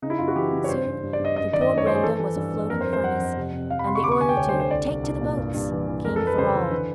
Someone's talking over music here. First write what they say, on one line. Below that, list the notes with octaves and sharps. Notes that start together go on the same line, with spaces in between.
Soon the poor Brenda was a floating furnace, and the order to 'Take to the boats!' came for all.
C#3 D#4
E4
F#2 F4
F#4
E3 G4
C#3
C#5
G2 C5
G2
G2
D5
G2
D#5
F#2 D#5
D#3 D5
D#5
F#2
C#5
F#2 C5
G#4
E3 A4
E3
G2
G2
F2 A#4
C5
F2
C5
F2 F#5
F2
C3
C3
F2 F5
B5
C3 C6
C#6
D2 D6
C#6
D3 G#5
G5
D2 C#5
C5
D3
C5
C2 D5
C2
C2
A#2
G2
G2
E3
E3
F2 A#4
F2 A4
B4
C#3 C5
E3
D3 B4